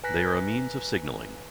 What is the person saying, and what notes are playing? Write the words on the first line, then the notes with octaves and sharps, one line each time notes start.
They are a means of signaling.
B4 G#5 A#5 F#6 A#6 B6